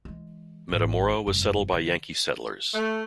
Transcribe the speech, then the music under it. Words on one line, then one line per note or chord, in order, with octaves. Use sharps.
Metamora was settled by Yankee settlers.
E3 G#3
D#1 G#1
F1 G2
D3
A3